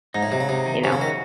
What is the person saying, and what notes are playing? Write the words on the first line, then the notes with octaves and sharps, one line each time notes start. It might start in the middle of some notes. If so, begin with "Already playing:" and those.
you know.
G#2 D#4
A2
C3 F#3
C#3
C3 D#4
D#3
C3 C#4
C#3
D#3 F#4